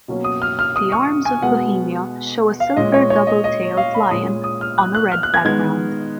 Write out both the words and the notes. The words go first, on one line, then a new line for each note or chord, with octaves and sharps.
The arms of Bohemia show a silver double-tailed lion on a red background.
B2 F#3 A#3 C#4
D#6
F6
F6
D#6
C#6
G#5
B2 G#3 B3 F#5
F5
A#2 G#3 C#4 D#5
C#5
C#5
D#5
D#5
F5
B5
A#2 G#3 C#4 D#6
D#6
F6
F#6
F#6
F6
F#6
G#6
D#3 G#3 B3 G#6